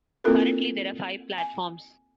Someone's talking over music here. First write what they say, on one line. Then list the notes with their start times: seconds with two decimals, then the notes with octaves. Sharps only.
Currently there are five platforms.
0.24 A#3 C4 E4 F4 A4 A#4
1.38 G#5